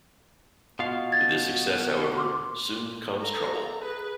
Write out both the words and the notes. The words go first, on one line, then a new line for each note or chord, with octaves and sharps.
With this success, however, soon comes trouble.
B2 F4 F5
G#6 A6
C6 D6
A4 A#5
G#4 B4